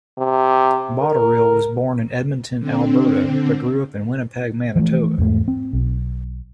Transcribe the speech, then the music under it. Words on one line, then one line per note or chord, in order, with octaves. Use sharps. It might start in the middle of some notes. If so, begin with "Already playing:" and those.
Botterill was born in Edmonton, Alberta, but grew up in Winnipeg, Manitoba.
C3
A#4
D3 C4
E3 F3 G3 A3
E2 G#2 A3
C4
B1